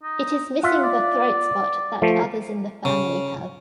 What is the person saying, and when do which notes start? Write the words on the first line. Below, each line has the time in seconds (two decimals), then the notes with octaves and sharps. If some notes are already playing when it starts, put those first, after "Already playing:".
It is missing the throat spot that others in the family have.
0.03 D#4
0.63 F4 E5 F#5
0.83 D5
2.02 F3 A3
2.85 C#3